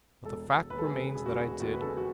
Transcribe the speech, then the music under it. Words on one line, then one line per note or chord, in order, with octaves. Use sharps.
But the fact remains that I did.
E1 A4
E1
D#2 B4
A4
G#4
C#3 A4
E1 G#4
F#4
E1 G#4
D#2 F#4
B4
C#3 A4
G#4
F#4